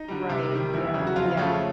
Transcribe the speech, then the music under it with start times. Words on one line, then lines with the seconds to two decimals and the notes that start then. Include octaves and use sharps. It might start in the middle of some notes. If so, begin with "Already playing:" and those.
Right. Yeah. Yeah.
Already playing: D#4
0.08 D3 G3
0.29 C3
0.52 D#3 G3
0.73 E2 E4
0.94 C#3 F#3
1.07 F#4
1.16 F2 F4
1.37 C#3 F3 A3